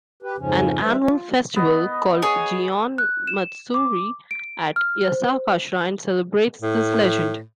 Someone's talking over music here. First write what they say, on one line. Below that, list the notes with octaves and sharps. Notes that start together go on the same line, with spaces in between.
An annual festival, called "Gion Matsuri", at Yasaka Shrine celebrates this legend.
G4 B4
F2 G#2 C#3 F3 C#4
D#3 G3 D4 B4 C5 E5
F4
B3 D#5
G#4 C#5
F#6
E7
D6
D7
F6
C5
A2